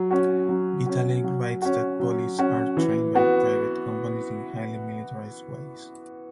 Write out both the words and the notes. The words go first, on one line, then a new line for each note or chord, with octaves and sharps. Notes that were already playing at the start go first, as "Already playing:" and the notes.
Vitale writes that police are trained by private companies in highly militarised ways.
Already playing: F#3
C#4 F#4
F#3
C#4 F#4
F#3
C#4 F#4
F#3
C#4 F#4
E3
B3 F#4